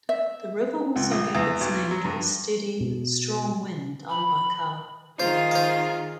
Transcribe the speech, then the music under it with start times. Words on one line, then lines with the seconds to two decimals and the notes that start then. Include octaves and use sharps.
The river also gave its name to a steady, strong wind on Baikal.
0.09 E5
0.96 C#2
1.11 A#1
1.35 E2
1.61 B1
1.91 F#3
2.04 G2
2.80 B2
4.09 B5
5.20 D#3 F4 G#4 C5
5.51 C5 F5